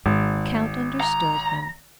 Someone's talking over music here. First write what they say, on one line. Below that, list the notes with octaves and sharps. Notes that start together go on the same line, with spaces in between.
The count understood him.
G#1 G#2
A#5